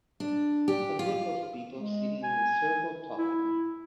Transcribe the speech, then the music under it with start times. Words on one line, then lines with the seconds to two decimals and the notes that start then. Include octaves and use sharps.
A group of people sitting in a circle talking.
0.20 D4
0.68 G4
0.99 F4
1.77 G#3
2.23 G#5
3.18 E4